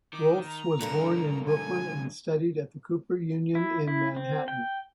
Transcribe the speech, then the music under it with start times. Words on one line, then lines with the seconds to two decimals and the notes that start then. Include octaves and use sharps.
Rohlfs was born in Brooklyn and studied at the Cooper Union in Manhattan.
0.13 D#3 D6
0.47 A#5
0.81 B1 G2 D3 A4 A#4
1.48 G#5
3.55 E4
3.88 E4
4.16 C4
4.48 G5